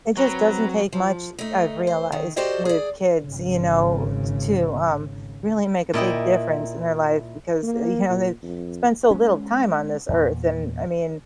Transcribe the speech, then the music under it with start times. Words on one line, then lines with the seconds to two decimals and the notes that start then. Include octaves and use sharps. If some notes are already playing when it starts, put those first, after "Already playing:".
it just doesn't take much, I've realized, with kids, you know, t to, um, really make a big difference in their life because, uh, you know, they've spent so little time on this earth, and, I mean,
0.17 F#3 C4 B4 A#5
0.93 F3
1.39 A3 D#4
1.87 C5
2.12 D#3
2.36 F#4 G4 A4 C5 D5 D#5
2.65 G#4 D5
3.24 G#1 C#3
5.94 A#2 E4 D#5 G5
7.63 A#3
8.09 A#2
8.43 F2
9.11 G#3 C#4
10.09 E2 A#2